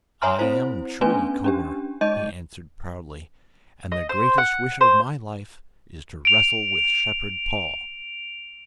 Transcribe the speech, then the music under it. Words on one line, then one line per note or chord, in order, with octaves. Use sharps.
'I am Tree Comber,' he answered proudly; 'and the greatest wish of my life is to wrestle with Shepherd Paul.'
C#5 E5 G#5 A#5 C6 F6
C4 E4 C5
A3 B3 C#4 D4 B4 G#5
C#4 D4 G4
G#3 D#4 D#5 G6 D#7
D#5
C5
F#5
C5
D7 F7